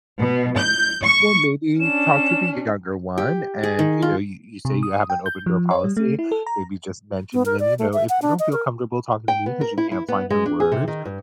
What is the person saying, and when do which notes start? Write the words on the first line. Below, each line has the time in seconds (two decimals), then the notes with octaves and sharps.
well, maybe talk to the younger one and, you know, you you say you have an open-door policy, maybe just mention to them, "You know, if you don't feel comfortable talking to me 'cause you can't find your words,
0.20 B2
0.58 G6
1.02 C#6
1.80 C#4 D4 E7
3.18 G4
3.63 G#4
3.79 D#3
4.02 F4
4.65 C3
4.83 D#6
5.10 G5
5.26 G6
5.46 F3
5.71 C#5
5.84 G3
5.97 A3
6.19 E4
6.32 A4
6.46 A#5
7.33 B3
7.46 A#4
7.60 D5
7.79 A3
7.93 E5
8.09 F#5
8.22 D4
8.39 D#5
8.52 A#4
9.28 G5
9.46 B3
9.61 A#4
9.78 E4
9.92 E4
10.08 B3
10.30 G#3
10.46 D4
10.60 G#4
10.72 C3
10.88 D#3
11.05 G2